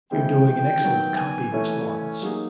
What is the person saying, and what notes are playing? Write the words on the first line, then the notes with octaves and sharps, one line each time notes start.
'You're doing an excellent copy, Miss Laurence.'
C#3 E3 G#3 C4 G5
G5
D#3 F#3 B3
G#5
E3 A3 C#4
G#5
F#3 A#3 D#4 G#4